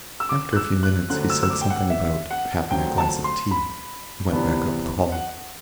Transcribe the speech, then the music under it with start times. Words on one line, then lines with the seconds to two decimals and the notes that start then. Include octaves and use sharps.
After a few minutes he said something about having a glass of tea and went back up the hall.
0.20 E6
0.29 D6
0.52 F#6
0.57 E6
0.83 F#6
1.10 D2 D3 F#3 C4 F#6
1.30 E6
1.43 E6
1.50 D6
1.61 G5
1.70 F#5
1.90 E5
2.31 F#5
2.71 D2 D3 F#3 C4 G5
2.98 A5
3.24 C6
3.51 B5
4.32 C3 E3 B3 D4
5.12 F#5